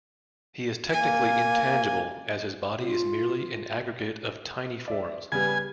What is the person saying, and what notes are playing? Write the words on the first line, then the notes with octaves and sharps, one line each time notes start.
He is technically intangible, as his body is merely an aggregate of tiny forms.
A#3 G#5
F4
D5 E5
C#3 G3 B3 G#5